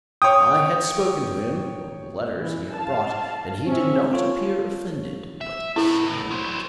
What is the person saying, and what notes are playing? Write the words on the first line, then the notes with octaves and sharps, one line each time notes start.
I had spoken to him of the letters he had brought, and he did not appear offended, but saddened.
C#5 G5 D#6
E3
F5 A5
C4 C#4 E5
F4 A4 C#5
E5
A3 B3 E4 A4
F#3 C5